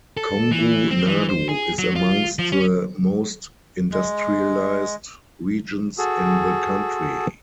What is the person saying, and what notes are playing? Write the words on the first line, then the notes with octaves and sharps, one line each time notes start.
Kongu Nadu is amongst the most industrialised regions in the country.
A4
E3
C4
E3
C5
G#4
F#3
F4
F3
C#4
G#3
F#4 G#4 A4